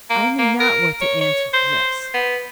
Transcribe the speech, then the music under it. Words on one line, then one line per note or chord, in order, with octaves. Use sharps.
I knew not what to answer to this.
A#3
A#3
A#4
C#5
C#5
C5
B3